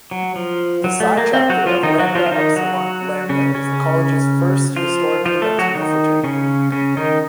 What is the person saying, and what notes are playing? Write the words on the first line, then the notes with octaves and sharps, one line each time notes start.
The Psi Chapter of Lambda Upsilon Lambda is the college's first historically Latino fraternity.
F#3
F3
F#3
A3
A#3
C4
F#3 F#4
F3 F4
D#3 D#4
F#3 F#4
F3 F4
F4
D#3 D#4
F#3 F#4
C#3 C#4
C#3 C#4
F3 F4
F3 F4
A3 A4
F#3 F#4
D#3 D#4
C#3 C#4
C#3 C#4
D#3 D#4